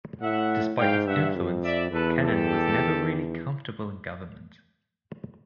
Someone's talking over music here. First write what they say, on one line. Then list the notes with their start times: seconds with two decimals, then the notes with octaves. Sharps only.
Despite his influence, Kennan was never really comfortable in government.
0.21 A2 E5 F#5
0.78 G#2 F5 G5
1.07 G2 E5 F#5
1.36 F2
1.64 D5 E5
1.92 E2 A4 B4
2.21 G4 A4